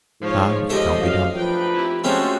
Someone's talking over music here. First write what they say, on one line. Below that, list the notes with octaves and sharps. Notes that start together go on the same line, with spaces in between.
Now, it can't be done.
G#2 F3 C#5 F5
F3 A3 G4 C5 D#5
F#2 F5
F3 D4 D#4 B4 G5
C4 E4 G4
F3 G#3 A3 C4 C#4 F#4 A4 C5